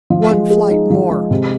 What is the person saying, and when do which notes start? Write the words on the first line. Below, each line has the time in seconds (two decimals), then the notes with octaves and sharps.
One flight more!
0.10 F3
0.31 G#3
0.50 G#4
0.70 D#4
0.90 F3
1.10 G#3
1.31 C3